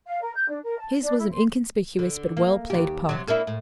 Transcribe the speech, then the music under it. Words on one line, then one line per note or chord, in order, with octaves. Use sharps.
His was an inconspicuous but well played part.
F5
A#4
G6
D4
A#4
A5
D4
E4
C6
D3
A#3
D#2 G4
C3 F#3
A#3 D4 E4
A2